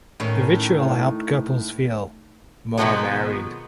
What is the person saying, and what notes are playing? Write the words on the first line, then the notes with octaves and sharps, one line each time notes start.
The ritual helped couples feel "more married".
A2 D#3 C#4
B2 D#3 F3 F#3 G#3 B3